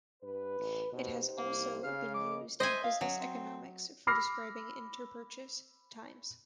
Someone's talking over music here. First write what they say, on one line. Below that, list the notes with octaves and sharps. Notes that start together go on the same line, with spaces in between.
It has also been used in business economics for describing interpurchase times.
G2 B4
A1
B2 D#4 G4 C5
C2 A#3
C#3 F5
F3 D#5 D6
C5 D#5 E5 G#5
F5
F#3 C#4
C4
B5 D6 E6 F6 A#6 C7